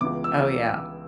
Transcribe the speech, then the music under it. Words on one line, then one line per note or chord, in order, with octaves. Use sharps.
Oh, yeah.
C#2 C#3 E3 B3 D6
E6